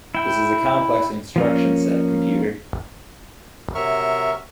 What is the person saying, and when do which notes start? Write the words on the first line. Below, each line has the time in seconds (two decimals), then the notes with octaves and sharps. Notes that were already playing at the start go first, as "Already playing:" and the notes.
This is a complex instruction set computer.
0.15 E4 G5
1.36 F3 A#3 C#4
3.75 C3 F#3 A#4 E5 C#6 F6